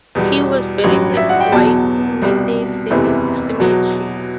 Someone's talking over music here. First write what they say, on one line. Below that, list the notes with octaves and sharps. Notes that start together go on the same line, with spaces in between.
He was buried at Waikumete Cemetery.
E2 B2 G3
A1 G2 F#3
E5
F#5
G5
E2 B2 F#3 A5
C2 B2 G3
F#1 E2 C3 E3
E2 B2 F#3